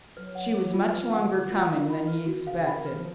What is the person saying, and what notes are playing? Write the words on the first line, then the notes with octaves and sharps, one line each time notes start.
She was much longer coming than he expected.
F#3 B4
F#5
G#4
F4
F3 B4
F#5
C#3
G#4
D#3
F4
D#3 F5
B5
B4
F#4
D#3
C#3 F5
B5
D#3
B4
D#3
F3